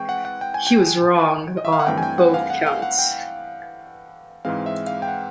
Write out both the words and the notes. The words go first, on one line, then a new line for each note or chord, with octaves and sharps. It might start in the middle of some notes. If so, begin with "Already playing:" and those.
He was wrong on both counts.
Already playing: E3 G#3 C4 G5 C#6
F#5
F#5
G5
G#5
G5
D#5
E5
F5
F#5
G2 E3 A3 C4 G5
G#5
G5
F#5
F5
F#5
F5
F#5
G5
G#2 E3 G#3 C4 F5
E5
F5
G5
F#5